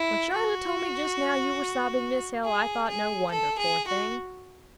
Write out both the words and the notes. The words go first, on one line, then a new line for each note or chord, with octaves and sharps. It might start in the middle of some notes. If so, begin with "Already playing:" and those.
When Charlotte told me just now you were sobbing, Miss Hale, I thought, no wonder, poor thing!
Already playing: E4
F#4
G#4
G#4
A4
G#4
F#4